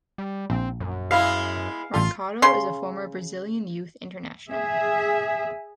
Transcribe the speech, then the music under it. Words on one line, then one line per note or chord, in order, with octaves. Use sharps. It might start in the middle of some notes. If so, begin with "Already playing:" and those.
Roncatto is a former Brazilian youth international.
G3
A#1 C4
F#2
G#3 B3 E4 F5
A1 F4 A4
C#3 C6
G#4 E5